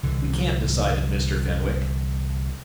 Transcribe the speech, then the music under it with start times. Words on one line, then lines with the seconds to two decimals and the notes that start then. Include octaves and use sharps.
"We can't," decided Mr. Fenwick.
0.03 C2 D3 E3